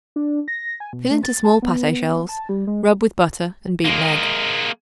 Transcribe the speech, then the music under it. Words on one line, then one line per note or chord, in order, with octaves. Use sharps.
Fill into small pate shells; rub with butter and beaten egg.
D4
A#6
G#5
B2
A3
A6
A5
B3
A5
G3
G#3
G#3 A#3